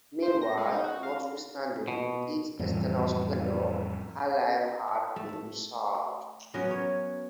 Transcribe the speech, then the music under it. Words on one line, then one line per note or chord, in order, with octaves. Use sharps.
Meanwhile, notwithstanding its external splendor, her life had grown sad.
C5
A#6
G#3
D#4
F#4
F5
B2
F2 A2 E3 G3
A3
F#3 B3 C#4 A#4
C#5